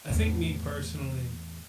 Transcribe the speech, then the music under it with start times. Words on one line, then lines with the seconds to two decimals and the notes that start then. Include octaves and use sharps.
I think me personally
0.10 E2 A2